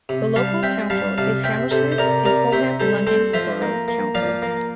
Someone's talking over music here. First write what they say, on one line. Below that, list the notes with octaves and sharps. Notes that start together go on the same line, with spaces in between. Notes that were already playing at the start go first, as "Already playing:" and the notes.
The local council is Hammersmith and Fulham London Borough Council.
C3
G3 F5 A5
C4 E5 G5
G3 F5 A5
C3 F5 A5
C4 E5 G5
C3 A4 C5
C5
C3 A#4 D5
C3 A#4 D5
C3 C5 E5
G3 A4 C5
C4 A4 C5
F3 C5 E5
A#3
A#3
F3 D5 F5
A#3